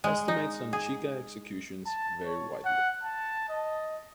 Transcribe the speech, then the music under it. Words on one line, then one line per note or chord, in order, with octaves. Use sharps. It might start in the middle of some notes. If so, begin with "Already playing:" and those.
Estimates on Cheka executions vary widely.
G#3
D#4
G#4
A5
C#5
F#5
A5
D#5